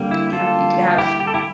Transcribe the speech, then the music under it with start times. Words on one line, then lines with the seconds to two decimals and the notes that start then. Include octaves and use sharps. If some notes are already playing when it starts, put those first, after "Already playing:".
yep, you could have
Already playing: D3 G3 A#3
0.11 E4
0.33 F4 A4
0.98 E4 G4
1.20 G4
1.27 A4
1.34 E4 G4